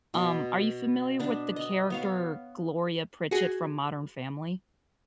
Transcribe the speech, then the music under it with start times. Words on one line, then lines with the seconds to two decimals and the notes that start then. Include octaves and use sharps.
Um, are you familiar with the character Gloria Pritchett from Modern Family?
0.14 B2
1.19 B3 D4
1.56 D#5
1.90 B3 C#5 F5
3.31 F#4 G#4